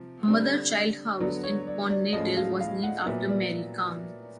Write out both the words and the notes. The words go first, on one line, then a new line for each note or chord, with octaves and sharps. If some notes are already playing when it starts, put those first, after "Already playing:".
A mother-child house in Baunatal was named after Marie Calm.
Already playing: C3 F3
D3 G3 C4
D3 F#3 B3 D5
C#5
D5
D5
A2 F3 G#3 C#4 D#5
F5
F5
F#5
A#2 F#3 B3 E5
D5